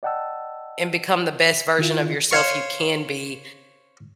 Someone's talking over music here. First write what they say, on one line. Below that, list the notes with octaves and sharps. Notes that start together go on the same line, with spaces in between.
and become the best version of yourself you can be
D5 D#5 F#5 G5 A5 E6
D#3 E4 F4
C5 C#5 F5 C#6